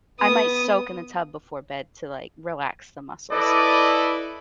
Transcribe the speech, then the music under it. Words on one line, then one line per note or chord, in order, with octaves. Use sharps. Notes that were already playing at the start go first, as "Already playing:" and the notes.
I might soak in the tub before bed to, like, relax the muscles.
B3 D#6
E4 A4 B4 D5 D#5 D6